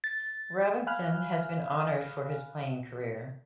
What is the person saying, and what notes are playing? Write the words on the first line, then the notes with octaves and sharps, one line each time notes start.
Robinson has been honoured for his playing career.
A6
F5 G#5 B5 F6 F#6